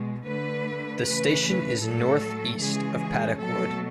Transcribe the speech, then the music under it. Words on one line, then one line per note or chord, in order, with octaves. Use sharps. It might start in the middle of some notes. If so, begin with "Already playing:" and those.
The station is north east of Paddock Wood.
Already playing: B2 G#3
D3 A3 B4
C#3 E3 A3 B4
A2 F#3 A3 A4
C#3 E3 G#3 G#4
G#4
B2 F#3 A3 A4